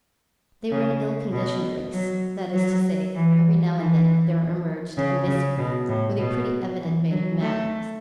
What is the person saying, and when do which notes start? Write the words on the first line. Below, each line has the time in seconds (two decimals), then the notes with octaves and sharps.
They were an ill-conditioned race--that is to say, every now and then there emerged a miscreant, with a pretty evident vein of madness.
0.71 C#3
1.32 B2
1.93 F#3
2.54 F#3
3.15 E3
3.76 E3
4.98 C#3
5.28 C#3
5.58 B2
5.89 A2
6.19 B2
6.80 E3
7.11 F#3
7.41 A3